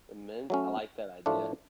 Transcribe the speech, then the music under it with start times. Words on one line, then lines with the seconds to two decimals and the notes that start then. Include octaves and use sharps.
The Mint, I like that idea.
0.50 F#3 A3 C#4
1.26 A2 F3 A3 D4 F4